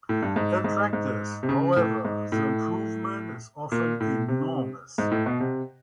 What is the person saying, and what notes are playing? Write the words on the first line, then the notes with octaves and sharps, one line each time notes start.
In practice, however, the improvement is often enormous.
A2
G2
G#2
G#2
G#2
C3
C#3
A2
G#2
A2
A#2
A2
C3
G#2
A2
B2
C3